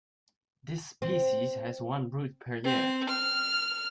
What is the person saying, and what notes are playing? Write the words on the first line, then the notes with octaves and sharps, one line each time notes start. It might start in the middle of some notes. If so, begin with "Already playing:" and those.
This species has one brood per year.
C4
C4
F6